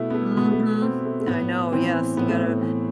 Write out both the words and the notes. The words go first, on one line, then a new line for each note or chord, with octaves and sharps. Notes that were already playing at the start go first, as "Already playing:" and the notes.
Mhm, I know, yes, you gotta
Already playing: B2 A3 B3 E4
B3
A3
B2 B3
A3
B3
C4
A3
A3
A2 B3
E3 C4
A2 B3
A3
B3
E3